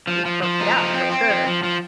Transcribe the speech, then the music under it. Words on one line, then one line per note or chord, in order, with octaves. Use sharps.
Ooh, for yeah, for sure.
F3
F3
F3
D#4
F3
C4
C4
F3
F3
F3